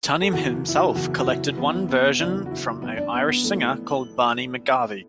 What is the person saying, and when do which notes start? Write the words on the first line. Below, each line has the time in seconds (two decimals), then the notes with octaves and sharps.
Tunney himself collected one version from an Irish singer called Barney McGarvey.
0.22 A4
0.33 F#1 E2 E3 F#4
0.68 E4
0.75 F#4
0.95 F#1 E2 E3 F#4
1.20 F#4
1.26 E4
1.57 F#1 E2 E3 B3
1.89 B3
2.19 F#1 E2 E3 D4
2.46 F#4
2.51 E4
2.82 B1 A2 E3 B3
2.97 D4
3.13 B3
3.28 B3
3.44 A2 E3 A3